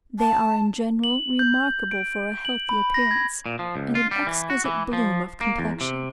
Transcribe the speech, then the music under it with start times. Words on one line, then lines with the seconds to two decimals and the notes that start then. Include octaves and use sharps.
They are in general remarkable for a healthy appearance, and an exquisite bloom of complexion.
0.20 A5
1.04 F#7
1.39 G6
1.91 D7
2.45 F#7
2.69 B5
2.94 A#6
3.11 G#6
3.46 A#2
3.59 F3
3.76 C#2
3.95 F4
4.11 G3
4.27 E3
4.50 F#4
4.65 E3
4.93 F3
5.41 A#3
5.58 E2
5.81 C3